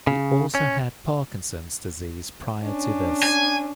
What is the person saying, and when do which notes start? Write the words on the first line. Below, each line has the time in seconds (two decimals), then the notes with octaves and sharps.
He also had Parkinson's disease prior to this.
0.07 C#3
0.55 C#4
2.63 C#4 D4
3.23 G#5